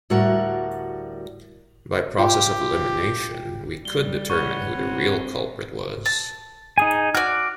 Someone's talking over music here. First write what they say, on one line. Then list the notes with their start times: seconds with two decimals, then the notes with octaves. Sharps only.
By process of elimination we could determine who the real culprit was.
0.10 D2 A2 G3 F#4 A#4 F#5
2.19 F4 G4 G5
3.85 G3 G7
4.30 B4 C#5 F#5 C#6
4.72 C4
6.05 A5
6.78 D#4 G#4 G#5
7.15 F#4 D5 F6 F#6